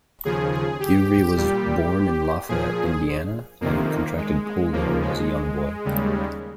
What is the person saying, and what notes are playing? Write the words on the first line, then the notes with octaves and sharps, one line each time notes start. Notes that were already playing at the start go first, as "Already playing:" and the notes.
Ewry was born in Lafayette, Indiana, and contracted polio as a young boy.
D#2 C#3 F3 G#4
G#4
G4
A#2 G3
A#2 F3 G#4
F2 C3 D#3 A#3
G#3
G#3
D#2 C#3 F3 A#3
G#3
D#2 C#3 G3